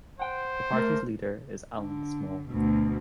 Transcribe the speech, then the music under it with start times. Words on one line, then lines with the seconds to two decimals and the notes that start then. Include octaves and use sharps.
The party's leader is Allen Small.
0.20 C5 F#5 G5
0.73 A3 A#4
1.76 D3
2.50 D2 B2